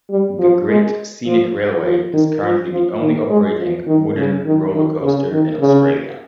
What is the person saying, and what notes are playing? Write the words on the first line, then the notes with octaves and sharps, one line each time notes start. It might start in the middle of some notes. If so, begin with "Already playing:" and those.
The Great Scenic Railway is currently the only operating wooden roller coaster in Australia.
G3
F3
G#3
F3
F3
D#3
F3
F3
D#3
G#3
F3
D#3
C#3
D#3
D#3
C#3
D#3
C#3